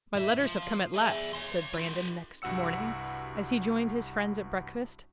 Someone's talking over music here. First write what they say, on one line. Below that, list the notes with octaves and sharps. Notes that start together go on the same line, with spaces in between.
"My letters have come at last," said Brandon, next morning, as he joined his friends at breakfast.
A2 E5
F3
G#4 E5
C#5 C6
F4 G4
C2 G2 F#4 F#5 E6 C#7